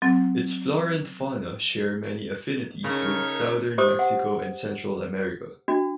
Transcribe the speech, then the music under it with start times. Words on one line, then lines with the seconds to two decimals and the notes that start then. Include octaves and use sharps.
Its flora and fauna share many affinities with southern Mexico and Central America.
0.02 F#3 C4
2.84 C#3 A3 D#4 A#4 C#5
3.78 G4 C5 D6 D#6
3.99 F#5
5.68 D4 F#4